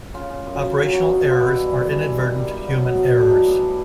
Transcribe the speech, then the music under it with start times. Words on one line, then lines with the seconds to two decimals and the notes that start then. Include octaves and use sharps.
Operational errors are inadvertent human errors.
0.14 C#3 F4
0.30 C#3
0.46 F#2
0.62 C#3
0.77 F#3
0.93 F#3
1.09 B2
1.24 B2
1.31 F4
1.40 E3 E4
1.56 G3
1.73 E3
1.89 G2
2.04 G3
2.19 D#3
2.36 G3
2.51 G3
2.67 F#3
2.83 B2
2.99 B2
3.15 B2
3.22 D4
3.30 E3 D#4
3.46 A2 D4
3.62 G3